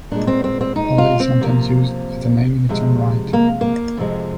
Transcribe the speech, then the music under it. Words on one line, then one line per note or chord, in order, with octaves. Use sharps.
Polly is sometimes used as a name in its own right.
A#2 G#3 D4
C4
C4
C4
D#4
F4
C4
C3 F3 A#3
C3 F3 G#3
A#3
A#3
F2 C3 F3 G#3